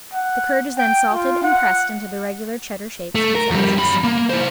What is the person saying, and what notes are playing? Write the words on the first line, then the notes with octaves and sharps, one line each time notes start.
The curd is then salted and pressed into the regular Cheddar shapes and sizes.
F#5
G5
F4
F#5
A3
A#4
F2 G3
F#2 B5
A#3
E4 C5